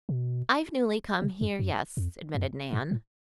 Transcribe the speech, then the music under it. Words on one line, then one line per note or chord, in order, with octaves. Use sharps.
"I've newly come here, yes," admitted Nan.
B2
C3
F#2
F#2
F2
F#2
G#2
A2